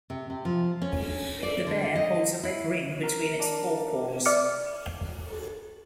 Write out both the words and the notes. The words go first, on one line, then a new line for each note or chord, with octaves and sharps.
The bear holds a red ring between its forepaws.
C3
C3
F3
C#4
C#4
D5
D3
D#5
E4
A#4
D4
D5 E5 D6 F6 C#7